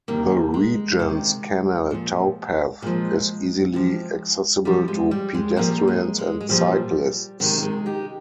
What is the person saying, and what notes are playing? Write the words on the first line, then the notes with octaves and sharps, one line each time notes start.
The Regents Canal towpath is easily accessible to pedestrians and cyclists.
C3 D#3 G3 A#3
G#3
C3 D#3
A#2 F3
A#2 F3 G#3
C3 F3
C3 F3 G3
G#3
G3
G#3
A#2 F3 G3 A#3
G#3
G#3
G#3
A#2 F3 G3
C3 D#3 G#3
A#3
G#3
D#4 G4